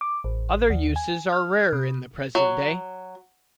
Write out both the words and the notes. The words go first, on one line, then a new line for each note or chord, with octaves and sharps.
Other uses are rarer in the present day.
D6
A1
D#2
G#5
F6
C3
F#3